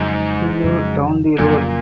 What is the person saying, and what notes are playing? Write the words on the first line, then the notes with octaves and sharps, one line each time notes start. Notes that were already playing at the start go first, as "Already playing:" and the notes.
See you down the road.
Already playing: F2 G#2 C#3 F#3
F2 C#3 F#3
F2 A#2 C#3 F#3